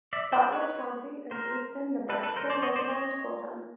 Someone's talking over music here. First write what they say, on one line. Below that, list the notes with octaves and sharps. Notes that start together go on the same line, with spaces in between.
Butler County in eastern Nebraska was named for him.
D5 E5
C5 D5
B4 C#5
A#4 C5
A4 B4
A4 B4
A#4 C5
C5 D5
C#5 D#5
C5 D5
C#5 D#5